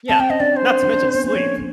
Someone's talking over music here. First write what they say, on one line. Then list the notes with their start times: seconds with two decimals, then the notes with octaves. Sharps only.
Yeah, not to mention sleep.
0.09 C4 A5
0.20 C4 G5
0.30 C#4 D#5
0.40 D4 D5
0.56 C5
0.83 D4
0.94 C#4
1.03 C4
1.15 B3
1.24 A#3 C5
1.35 F3 C#5